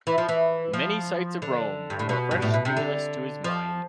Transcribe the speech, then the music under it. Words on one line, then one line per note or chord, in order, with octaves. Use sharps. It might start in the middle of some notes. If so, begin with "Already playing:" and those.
The many sights of Rome were a fresh stimulus to his mind.
E3
F3
E3
F3
D3
G2
A2
B2
G2
A2
B2
C3
D3
F3